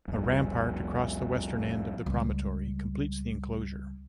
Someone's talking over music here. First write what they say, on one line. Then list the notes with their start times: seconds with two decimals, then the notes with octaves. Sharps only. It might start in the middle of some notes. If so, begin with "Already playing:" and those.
A rampart across the western end of the promontory completes the enclosure.
0.08 F1 C2
2.06 C#2 G3